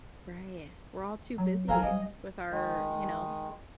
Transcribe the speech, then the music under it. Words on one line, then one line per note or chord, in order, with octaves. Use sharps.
Right. We're all too busy with our, you know,
F#3
F3 A4 A#4 C5 F5 G#5 A#5
G3 D#5
D#3 G#3